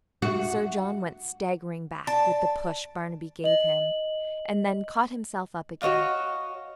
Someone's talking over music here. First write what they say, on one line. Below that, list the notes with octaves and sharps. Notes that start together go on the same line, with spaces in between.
Sir John went staggering back with the push Barnaby gave him, and then caught himself up again.
F#4
D5 A5
D#5 F#7
F#4 C#5 D#5 F5